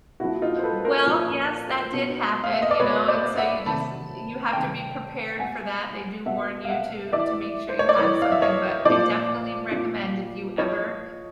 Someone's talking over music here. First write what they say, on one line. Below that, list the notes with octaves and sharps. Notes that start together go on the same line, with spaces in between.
Well, yes, that did happen, you know, and so you just uh, you have to be prepared for that, they do warn you to to make sure you have something, but I definitely recommend if you ever
A#2 F3 E4 F#4
D#4 F4
C5
A4 B4
A#4 C5
A#2 F3
B2
F5
E5
D#5
D5
B2 B4 C#5
C5 D5
E5 F#5
C3 D#3 A5 B5
C3 D#3 G5 A5
B2 F#5 G#5
B2 E5 F#5
F5
E5 F#5
A2 E3 D5 E5
C5
C#5
D5
A2 E3 C#5 D#5
F5
E5
C#5 D#5
A#2 F3 C5 D5
A#2 F3
A2 F3 C#5 D#5